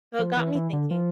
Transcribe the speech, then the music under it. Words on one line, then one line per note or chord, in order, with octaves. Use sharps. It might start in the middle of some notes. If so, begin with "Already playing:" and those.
So it got me thinking,
F3
E3
E3
D3
F3